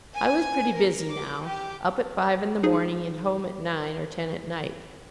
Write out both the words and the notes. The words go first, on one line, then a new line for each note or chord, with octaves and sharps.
I was pretty busy now; up at five in the morning, and home at nine or ten at night.
G#5
A#4
D6
G4
D#4 G#4